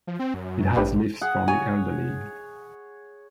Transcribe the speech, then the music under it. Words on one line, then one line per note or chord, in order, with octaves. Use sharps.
It has lifts for the elderly.
F3
C4
F#2
A1 D4 G4 B4
G#4 F#5
C#5 G#5